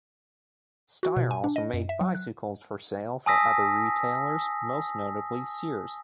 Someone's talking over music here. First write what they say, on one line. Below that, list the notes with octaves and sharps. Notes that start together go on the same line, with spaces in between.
Steyr also made bicycles for sale for other retailers, most notably Sears.
F#4
B2
G#5
D4
D#5
F#2
E5
F#3
F#6
G#5 A5 D#6 E6 A#6 B6